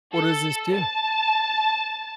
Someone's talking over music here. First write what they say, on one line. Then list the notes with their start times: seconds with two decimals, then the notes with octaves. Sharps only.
What does this do?
0.12 A4
0.74 A5